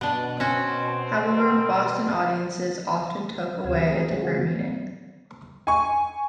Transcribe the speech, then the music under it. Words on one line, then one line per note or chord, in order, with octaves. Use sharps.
However, Boston audiences often took away a different meaning.
B2 B3 D4
C4 C#4 F#4
D2 C3 G3 F5 G#5 E6
A3 C4 G4 G#4 A#4 D#5
C#3 F#3 G#3 F4 F#4 G#4
G#5 C#6